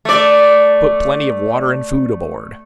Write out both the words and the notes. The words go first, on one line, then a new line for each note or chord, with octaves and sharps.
"Put plenty of water and food aboard."
A3 D5